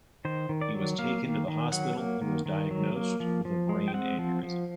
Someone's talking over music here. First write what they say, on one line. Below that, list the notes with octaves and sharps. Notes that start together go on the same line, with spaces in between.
He was taken to the hospital and was diagnosed with a brain aneurysm.
D#3 C5
D#3
D5
F#3
A#3 F5
D#3
D#3
F#3 F#5
A#3
D#3
D#3
F#3
A#3
F3
F3
G#3
G5
C4 F#5
F3
F3